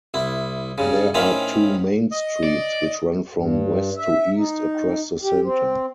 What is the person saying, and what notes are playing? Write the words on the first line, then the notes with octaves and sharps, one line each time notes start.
There are two "Main Streets", which run from west to east across the center.
C2 E4
G2 C#3
A2 D#3 C4 C#4 F5 B5
D#5
D5
G2
E5
D#4
G4
C4